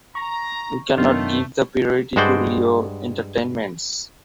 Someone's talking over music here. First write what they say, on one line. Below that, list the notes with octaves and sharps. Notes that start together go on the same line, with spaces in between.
We cannot give the priority to Lao entertainments.
A#5 C#6
F#2 D#3 A3 B3 D4 F4
G2 G#3 F#4 C5 D5 G5